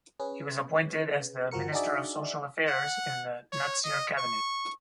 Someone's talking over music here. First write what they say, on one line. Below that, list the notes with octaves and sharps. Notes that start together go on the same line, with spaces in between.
He was appointed as the Minister of Social Affairs in the Natsir Cabinet.
C#4 G#4 B4
G1 F3 F#4 A#4 C#7
D4 D#4 F#4 G#4 D5 E5
F#5
C#5
D#5
C#6